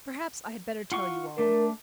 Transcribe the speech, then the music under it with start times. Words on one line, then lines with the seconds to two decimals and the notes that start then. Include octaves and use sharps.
Perhaps I had better tell you all.
0.92 F4 F#5 C#6
1.38 A3 D4 A#4